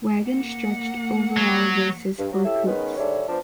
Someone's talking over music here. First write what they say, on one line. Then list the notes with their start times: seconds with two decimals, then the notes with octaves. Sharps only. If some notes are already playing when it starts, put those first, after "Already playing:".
Wagons stretched overall versus for coupes.
0.21 A#3 F#5
1.37 F#3
2.18 G2
2.33 F#3
2.45 E4 G4 A4 C#5 E5
2.66 D#3 G#3 B3 C#4 D#4 B4
2.98 G#2 D3 G3 D4 C#5 E5
3.29 F3 B3 D4 C5 A5